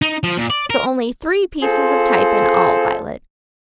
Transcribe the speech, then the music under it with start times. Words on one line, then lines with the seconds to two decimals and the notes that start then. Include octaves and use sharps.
"So only three pieces of type in all, Violet."
0.02 D#4
0.23 F3
0.37 A#2
0.50 D5
0.70 A#4
1.63 C4 F4 G#4 A4 C5